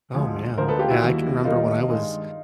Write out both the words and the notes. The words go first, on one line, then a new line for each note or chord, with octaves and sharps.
Oh, man. Yeah, I can remember when I was,
D2 D3 F3 G#3
D2 D3 F3 G#3 A#4 C5
A4 B4
F4 G4
E4 F#4
D#2 D#3 G3 A#3
D#2 D#3 G3 A#3 D#4 F4
G2 D#3 G#3